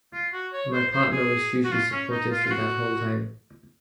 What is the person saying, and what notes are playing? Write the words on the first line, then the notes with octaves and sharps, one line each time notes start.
And my partner was hugely supportive through that whole time.
F4
F#4
C#5
C5
C5
G#4
F#4
F4
C#4
D#4
F4
F4
F#4